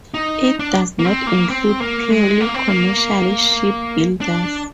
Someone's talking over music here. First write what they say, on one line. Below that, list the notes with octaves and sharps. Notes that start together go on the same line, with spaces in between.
It does not include purely commercial shipbuilders.
D#4
D4
A#3
C4
A#3
C4
A#3
G#3
A#3
C4
A#3
D4